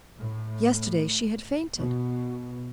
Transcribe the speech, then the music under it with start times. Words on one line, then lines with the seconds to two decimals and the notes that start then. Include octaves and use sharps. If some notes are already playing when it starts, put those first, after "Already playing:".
Yesterday she had fainted.
0.18 A2
1.77 B2